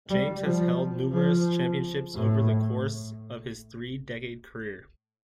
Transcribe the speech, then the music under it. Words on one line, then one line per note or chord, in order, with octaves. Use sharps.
James has held numerous championships over the course of his three-decade career.
G3
F3
F3
A2